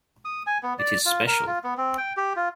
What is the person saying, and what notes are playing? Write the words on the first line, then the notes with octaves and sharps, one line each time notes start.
It is special.
D#6
G#5
B3
D5
F4
A#4
F4
B3
C4
G5
G4
F4